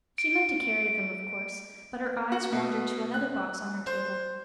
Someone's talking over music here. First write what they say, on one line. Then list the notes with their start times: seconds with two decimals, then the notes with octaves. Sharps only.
She meant to carry them, of course, but her eyes wandered to another box on her table.
0.18 D7
2.32 F#4
2.52 B2
3.14 F#6
3.87 C5